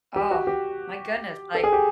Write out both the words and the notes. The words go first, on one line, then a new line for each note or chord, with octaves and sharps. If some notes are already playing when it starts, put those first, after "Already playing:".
Oh, my goodness, like
G4
F#4
G4
A4
G#4
G4